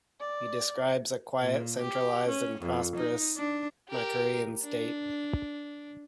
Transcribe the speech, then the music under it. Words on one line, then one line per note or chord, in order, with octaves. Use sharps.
He describes a quite centralized and prosperous Makurian state.
D5
A#2
G4
C#4
F2
D#4
D4
G4 A#4
D4